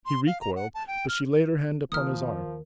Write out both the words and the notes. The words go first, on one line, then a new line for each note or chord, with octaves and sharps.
He recoiled, but she laid her hand upon his arm.
C6
F5
A#5
F#5
A5
G5
F6
D#2 F3 A#4 D#6 F6